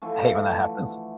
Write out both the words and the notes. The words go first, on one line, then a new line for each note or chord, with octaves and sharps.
I hate when that happens.
D3 E3 F3 A3